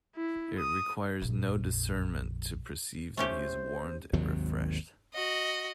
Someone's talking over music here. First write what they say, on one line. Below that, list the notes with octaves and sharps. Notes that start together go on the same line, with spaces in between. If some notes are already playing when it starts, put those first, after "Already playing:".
It requires no discernment to perceive that he is warmed and refreshed.
E4
D#6
A#1 F2
A3 C#4 G4 C5
G#1 D#2 C3 F#3
F#4 D#5